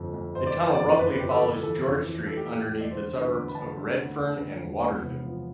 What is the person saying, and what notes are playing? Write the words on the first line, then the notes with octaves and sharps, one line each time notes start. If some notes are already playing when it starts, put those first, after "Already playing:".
The tunnel roughly follows George Street underneath the suburbs of Redfern and Waterloo.
Already playing: G1 F2
F2
G1 C5
D5
E3 C5
F2 D5
C5
G1 B4
G1 G4
A4
F2
E3 A4
F2
E3
A3 A4
G4
A3 A4
E1
D5
D3 C5
D3
B4
D2
B5
D3 A5
D3
D2
D2
D2
E1
B3
C3
F3